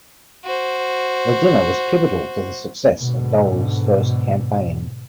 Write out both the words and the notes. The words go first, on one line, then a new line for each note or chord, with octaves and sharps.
The dinner was pivotal to the success of Dole's first campaign.
F#4 C5
G#2 B2 D3